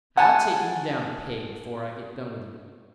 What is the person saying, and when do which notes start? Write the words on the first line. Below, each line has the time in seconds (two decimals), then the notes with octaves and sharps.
I'll take you down a peg before I get done with you.
0.17 F#5 G#5 A5